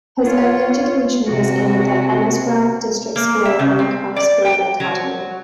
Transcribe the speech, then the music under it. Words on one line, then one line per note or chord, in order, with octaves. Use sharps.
His early education was in the Enosburgh District School and the Craftsbury Academy.
F4 C#5
C3 F#4
A#3
E5
C#3
C4
D5
G5
F#3